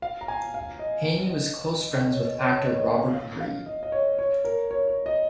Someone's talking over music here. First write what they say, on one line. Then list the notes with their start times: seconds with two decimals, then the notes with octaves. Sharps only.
Haney was close friends with actor Robert Reed.
0.02 F5
0.21 A#5
0.28 G#5
0.54 F5
0.79 D#5
1.99 D#5
2.10 C#5
2.24 D#5
2.36 C#5
2.55 C#5
2.62 D#5
2.72 C#5
2.80 D#5
2.98 F5
3.14 F5
3.40 F5
3.66 D#5
3.83 D#5
3.92 C#5
4.19 C#5
4.45 A#4
4.71 C#5
4.88 C#5
5.06 D#5